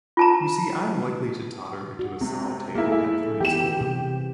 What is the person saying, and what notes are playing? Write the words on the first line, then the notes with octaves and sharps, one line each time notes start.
You see I am likely to totter into a solitaire at three-score.
F4 A5 A#5
F#4
C3 G#3 C4
A#3 E4 G#4
A3 E4
E3 B3 G4 E7
C3 C4